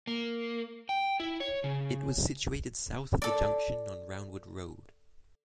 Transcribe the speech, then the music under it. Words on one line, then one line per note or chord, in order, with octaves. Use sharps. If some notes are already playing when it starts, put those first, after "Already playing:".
It was situated south of the junction on Roundwood Road.
A#3
G5
E4
C#5
C#3
A4 D5